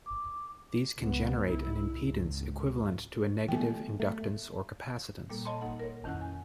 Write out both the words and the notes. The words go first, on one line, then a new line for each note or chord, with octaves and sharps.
These can generate an impedance equivalent to a negative inductance or capacitance.
D6
C#2 B3
C2 E4
C#2 G#2
E3 G3 A3 B3 G5
A3
A#2 G3 A#3 A4
C#5 D#5 A5 B5 C6
A#3 D#4 A4 F#5
A#4 C#5
F2 D#3 C#4 E4 F#5 F#6
G#5